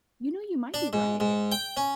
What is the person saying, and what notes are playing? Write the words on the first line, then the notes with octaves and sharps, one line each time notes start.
You know, you might be right.
D4
G#2
G#2
G5
C#4